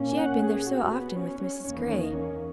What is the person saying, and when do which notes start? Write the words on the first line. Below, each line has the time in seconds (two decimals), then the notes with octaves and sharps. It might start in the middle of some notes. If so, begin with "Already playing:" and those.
She had been there so often with Mrs. Gray.
Already playing: A#2 A#3 C#4
0.18 F#5
0.42 G#4
0.67 F#4
0.91 B3
1.16 C#4
1.40 C#4
1.64 E2 D#3 A#3 C#4
1.77 B3
1.89 C#4
2.02 D#4
2.13 C#4